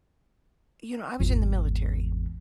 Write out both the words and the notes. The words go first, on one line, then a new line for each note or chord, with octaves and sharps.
you know, I was in the military
G#1 E2